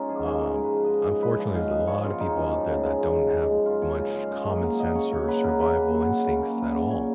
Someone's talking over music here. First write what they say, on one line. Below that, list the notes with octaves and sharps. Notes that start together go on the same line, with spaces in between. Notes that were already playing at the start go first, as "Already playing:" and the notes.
Um, unfortunately, there's a lotta people out there that don't have much common sense or survival instincts at all.
Already playing: G#3 C#4 D#4 F4
F3 G#4
G#2 G#4
G#2 A#4
G#3
B4
F3
D#5
G#2
G#2 D#5
G#3 B4
F3 D#5
G#2 F5
F#2 D#5
F3 C#5
C#3 F4
G#3 D#4
F#2
F3
C#3
G#3
F#2
F3
C#3
G#3
F#2 F4
F3 C#5
C#3 D#5
G#3 F5
C#3 D#5
A#3 D#5
F#3 F5
C#3 D#5
C#3 C#5
A#3 C#5
F#3 B4
C#3 A#4
C#3 B4
A#3
F#3
C#3
C#3
A#3
F#3
C#3
A#2 C#5